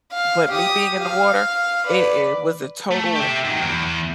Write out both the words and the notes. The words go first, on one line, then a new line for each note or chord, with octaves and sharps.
but me being in the water, it it was a total
F5
G4 D#6
F5
B4 D5
A3
G4 E5
D#3 F#3
E2